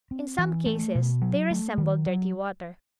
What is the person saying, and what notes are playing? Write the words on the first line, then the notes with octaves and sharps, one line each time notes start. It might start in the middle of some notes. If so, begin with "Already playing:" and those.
In some cases they resemble dirty water.
C4
E3
A3
B2
F#3
A3
D#3
F#3